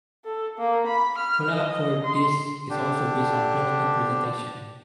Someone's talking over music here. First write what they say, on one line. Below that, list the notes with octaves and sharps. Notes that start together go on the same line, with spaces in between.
Follow-up for this is also based on clinical presentation.
A4
A#3
B5
F6
D#5
C6
D3 D4 G4